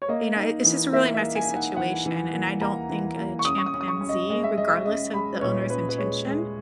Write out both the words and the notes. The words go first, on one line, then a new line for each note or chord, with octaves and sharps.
you know, i it's just a really messy situation and I don't think a chimpanzee, regardless of the owner's intention,
C#5
A#3 D#5
D#4
E3
A#3 E5
E5
A#3
G#5
D#4
F#5
E3 F#5
E3
A#3
A#3 A#5
E3
A#3
C#6
C#4 D#6
C#6
D#6
C#4
D#6
C#6
C#4
D#5
G#3 D#5
E5
G#3 D#5
E5
C#4 D#5
G#3 B5
B4
A#2 C#5
C#4 B4
B4
G#3 C#5
G#3